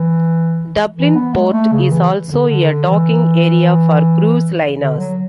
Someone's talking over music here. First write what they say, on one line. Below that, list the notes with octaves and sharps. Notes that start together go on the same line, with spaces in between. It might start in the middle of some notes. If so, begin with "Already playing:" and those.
Dublin Port is also a docking area for cruise liners.
Already playing: E3
E3
B3
G#3
A3
C#3
E3
D3
D3
E3
D3
F#3